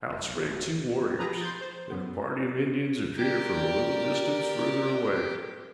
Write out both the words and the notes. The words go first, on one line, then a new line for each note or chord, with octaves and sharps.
Out sprang two warriors, and a party of Indians appeared from a little distance further away.
F1
B1
D1
F3 G4 G#4 B4 A#5
C6 G6 A6
C5
F#2 B3
G4 A#4 D5